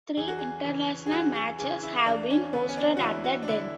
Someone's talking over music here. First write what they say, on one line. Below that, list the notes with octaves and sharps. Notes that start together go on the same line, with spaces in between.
Three international matches have been hosted at The Den.
E2 G#4
F#4
G#4
C#3 E3
G#4
E2 F#4
G#4
C#3 E3 G#4
E4
E4
E2 D4
C#4
D3 B3
C#4
D4
F#4
E2 E4
F#4
D4
D3 E4